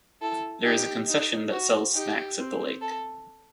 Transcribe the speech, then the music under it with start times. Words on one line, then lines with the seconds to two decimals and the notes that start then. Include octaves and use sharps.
There is a concession that sells snacks at the lake.
0.21 E4 A4
0.65 D#4 G4
1.08 D#4
1.51 F#4
1.95 D#4 G4
2.38 C4
2.82 A4